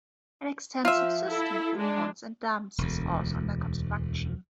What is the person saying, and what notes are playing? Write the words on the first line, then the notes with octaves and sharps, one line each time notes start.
An extensive system of ponds and dams is also under construction.
F3 F4 E5
E4 A4
G#3 D4
E1 D2